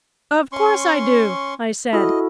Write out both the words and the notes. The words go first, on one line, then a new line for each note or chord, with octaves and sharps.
"Of course I do," I said.
C#4 C6 C#6
E4 F#4 A4 D#5